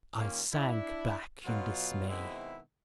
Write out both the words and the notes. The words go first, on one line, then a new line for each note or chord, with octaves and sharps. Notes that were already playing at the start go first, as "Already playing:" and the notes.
I sank back in dismay.
A#2 D#3 G#3 A#3 C#4
D4 E4
B2 F#3 F4
B2 D#3 G#3 C4 E4 E5